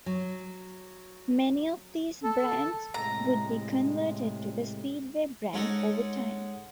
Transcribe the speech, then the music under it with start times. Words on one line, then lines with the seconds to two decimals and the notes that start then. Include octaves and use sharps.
Many of these brands would be converted to the Speedway brand over time.
0.06 F#3
2.23 A4
2.94 A2 C3 G#3 A#5
5.53 G#3 C#4 D#4 F#4 G#4 A4